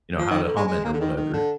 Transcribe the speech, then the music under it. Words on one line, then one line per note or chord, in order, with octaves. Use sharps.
you know, how to hum it or whatever.
F3
D#3
D3
G#3
G#3
A#3
D3
D#3
D#3
D3